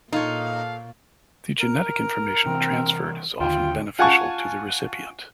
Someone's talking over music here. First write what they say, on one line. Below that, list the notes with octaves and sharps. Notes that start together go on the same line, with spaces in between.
The genetic information transferred is often beneficial to the recipient.
A#2 D#4 F4 A4 C#5 F5
A#4
C3 E3 C4
D#2 D3 F4 G5
F4 F#5 G#5 A5 C#6